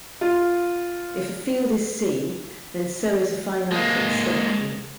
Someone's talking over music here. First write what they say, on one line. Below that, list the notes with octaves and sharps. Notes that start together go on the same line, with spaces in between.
If a field is C then so is a finite extension.
F4
G#3 A#3